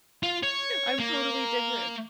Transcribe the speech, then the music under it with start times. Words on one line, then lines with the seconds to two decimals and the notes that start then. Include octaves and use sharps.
I'm totally different.
0.23 F4
0.43 C#5
0.99 A#3